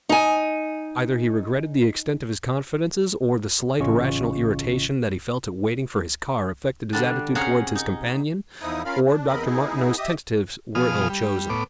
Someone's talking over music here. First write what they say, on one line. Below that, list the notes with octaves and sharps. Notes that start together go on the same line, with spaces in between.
Either he regretted the extent of his confidences or the slight irrational irritation that he felt at waiting for his car affected his attitude towards his companion, or Dr. Martineau's tentatives were ill-chosen.
D#4 G#5
A1 C#3 C#4 F4 D#5 C#6
D3 G3 D4
C3 C#4 G#4 F5 F#5 A#5
D#4
E2 F3 D#4 E4 D#6
C#4 F4 A#4 F5 B5 F6
D4
E2 C4 A#4 D#5 B5
B3 D#4 E4 G#4
G4 D#5 E5 D#6
B2 F3 G#4 D#6 F6
G3
A2 B3 D6